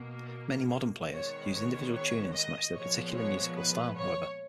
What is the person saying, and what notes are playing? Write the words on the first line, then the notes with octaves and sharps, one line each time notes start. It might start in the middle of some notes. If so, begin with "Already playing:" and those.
Many modern players use individual tunings to match their particular musical style, however.
Already playing: B2 A#3
D#3 G#3 B3 C#5
C#5
C#5
D#5
A#2 F3 G#3 B3 C#5
C#5
B4
C#5